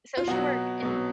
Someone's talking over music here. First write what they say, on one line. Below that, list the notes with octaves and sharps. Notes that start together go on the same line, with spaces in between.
social work and
F4
B2 F#3 F#4
B2 F#3